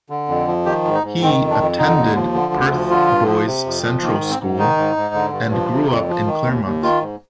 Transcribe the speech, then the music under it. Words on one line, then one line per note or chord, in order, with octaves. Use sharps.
He attended Perth Boys Central School and grew up in Claremont.
D3
F2
F3
D#3 G4
G#2
D#4
G#2
D#3 C4
F2
D4
F2
D3 D#4
D#2
F3
D3
D2
F3
D3 F4
G2
F3
C3
F2
F3
D#3 A#3
G#2
C4
G#2
D#3 D#4
G#2
G#2
D3
G2
F3
C3
F2
F3
D#3
D#2
D#2
D#3 F4
G#2